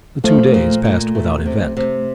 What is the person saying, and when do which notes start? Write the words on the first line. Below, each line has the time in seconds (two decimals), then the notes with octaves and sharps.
The two days passed without event.
0.24 F3 A3
0.54 A#2
0.85 A#2
1.15 A3
1.46 C3
1.77 C3